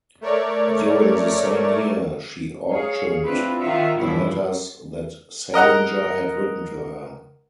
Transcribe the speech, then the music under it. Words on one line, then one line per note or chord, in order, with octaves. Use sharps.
During the same year, she auctioned the letters that Salinger had written to her.
A3 A#4 C#5 D5
G#4 C#5 F5
C4 D4 E4 F4 B4
D#3 F4 F#4 E5
G2 B2 E3 F3 E4
A#4 D#5 F#5 A#5